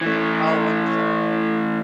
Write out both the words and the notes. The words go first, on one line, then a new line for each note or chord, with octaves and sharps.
Oh, wonderful.
E3 A3